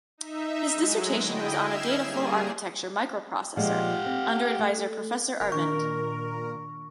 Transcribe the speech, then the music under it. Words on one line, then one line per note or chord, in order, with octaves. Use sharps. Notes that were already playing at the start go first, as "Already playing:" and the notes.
His dissertation was on a dataflow architecture microprocessor, under advisor Professor Arvind.
D#4 E5
F#3 G#3
D3 E4 D#5 G5
E5 F6 G#6 C7 E7
G3 A#3 G#4
A#2 F3 G#3 G4 F5 F#5
C4
A3
F#1 A#4
A#2 D#3 D4 C#6